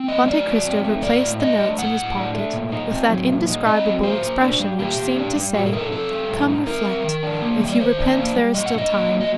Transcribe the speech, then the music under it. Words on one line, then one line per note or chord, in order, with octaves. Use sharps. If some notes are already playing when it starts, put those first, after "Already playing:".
Monte Cristo replaced the notes in his pocket with that indescribable expression which seemed to say, "Come, reflect; if you repent there is still time."
Already playing: C4
A3 D#5
F#3 D5
D#4
C4
A3
A2 D5
A2
D4 D#5
A3
A2 F#5
A2
D4
A3
A#2
D#4
C4
F#3
A#2
D#4
C4 D#5
F#3
A#2 C5
A#2
D4
G3
A#2 G4
A#2
D4
G3
A2 F#4
A4
D#4 A#4
A4
C4 A4
G3
A2
D#4
C4 A#4
G3
D#3
D4
A#3
G3
D5
D#3 C5
D4
A#3
G3
A#2 D#5
F#5
D4 D#5
A#3
F#3
D#5